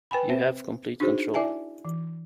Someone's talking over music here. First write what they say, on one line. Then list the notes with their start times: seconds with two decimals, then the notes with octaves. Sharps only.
You have complete control.
0.11 B4 G5 G#5 B5
0.29 C4 C5 E5
1.00 D4 D#4 F#4 G#4 C5
1.34 E4 D5 E5 G#5 A5
1.85 E3